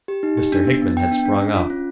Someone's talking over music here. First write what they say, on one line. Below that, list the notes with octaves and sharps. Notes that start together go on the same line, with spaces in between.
Mr. Hickman had sprung up.
G4
D#4
G4
D4
B3
B3
B3 G5
D4
D4
C#4
F4
C#4